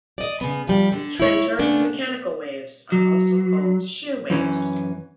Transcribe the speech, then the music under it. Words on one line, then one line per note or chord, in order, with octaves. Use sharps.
Transverse mechanical waves are also called "shear waves".
D5 D#5
C#3 B3
F3 G3
D3
E4 C#5
C#3 A3 B3 D4
F#3
F#2 E3 C#4